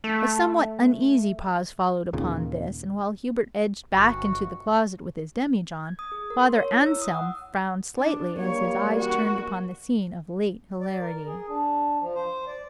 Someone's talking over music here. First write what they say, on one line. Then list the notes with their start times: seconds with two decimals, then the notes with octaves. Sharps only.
A somewhat uneasy pause followed upon this; and while Hubert edged back into the closet with his demijohn, Father Anselm frowned slightly as his eyes turned upon the scene of late hilarity.
0.04 A3
2.13 D#2 A#2 C#3
3.93 G1 F#4
5.85 G#6
5.99 D#6
6.12 G#4
6.30 A#4
6.43 C6
6.56 C#5
6.73 E4
6.86 E6
7.02 D#6
7.14 F#5
7.98 D4
8.39 G3 A#3 C#5
8.96 F#4
10.81 D5
11.01 A#4
11.27 G#4
11.48 D4
12.01 F3
12.15 C5
12.47 D5